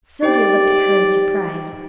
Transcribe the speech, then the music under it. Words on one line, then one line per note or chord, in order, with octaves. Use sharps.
Sylvia looked at her in surprise.
D#4 G4 C5 D5 G5